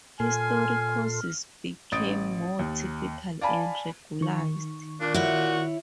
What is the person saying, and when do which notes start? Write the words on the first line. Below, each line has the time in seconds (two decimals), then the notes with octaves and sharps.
History courses became more typical and regularized.
0.20 A#2 A4 G#5 C6 F6
1.92 A1 D#6 A6 D7
2.59 D#2
3.41 D5 F5 G#5 A5 B5
4.21 D#3 C#6
5.00 A#2 D4
5.14 E4 F#4 C#5